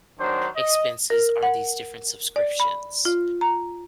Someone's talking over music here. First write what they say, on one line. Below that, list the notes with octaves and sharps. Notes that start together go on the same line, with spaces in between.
expenses are these different subscriptions.
D#3 F#3 D4 C5
D#5
A#4
F#5
D5
B5
F4
A#5